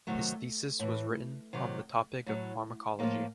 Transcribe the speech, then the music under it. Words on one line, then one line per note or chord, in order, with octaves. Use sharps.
His thesis was written on the topic of pharmacology.
C3 D#3 F#3 A3
A2 E3
C3 D#3 F#3
A2 F#3
A2 F3 A#3